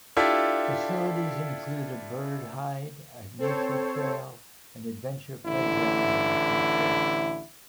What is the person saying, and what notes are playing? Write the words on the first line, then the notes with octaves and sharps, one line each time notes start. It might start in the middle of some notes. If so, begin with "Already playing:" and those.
Facilities include a bird hide, a nature trail, an adventure playground and a cafe.
D4 E4 F4 G4 A4 E5
C4 A4 C5 C#5
A1 D3 E4